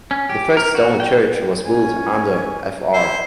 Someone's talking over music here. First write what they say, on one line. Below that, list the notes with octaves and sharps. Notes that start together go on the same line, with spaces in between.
The first stone church was built under Fr.
C#4
G4
A#4
F#4
G5
C#4 G#5
E4 C5